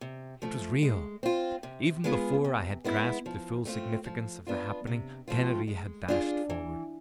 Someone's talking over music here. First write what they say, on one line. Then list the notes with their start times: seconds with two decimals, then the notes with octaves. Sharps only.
It was real! Even before I had grasped the full significance of the happening Kennedy had dashed forward.
0.01 C3
0.42 F3 A3
0.83 G#3
1.23 C4 F4
1.63 C3
2.04 G#3 B3 F4 G#4
2.44 C3
2.84 G#3 B3 E4
3.26 F3
3.65 A3 C4 F4
4.05 F3
4.47 B3 D4 F4
4.87 C3
5.28 F3 A3 C4 F4
5.68 G#3
6.08 D4 F4 G#4
6.50 E3